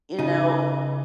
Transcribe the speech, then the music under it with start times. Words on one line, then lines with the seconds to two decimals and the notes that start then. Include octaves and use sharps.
you know
0.19 C#3 D#4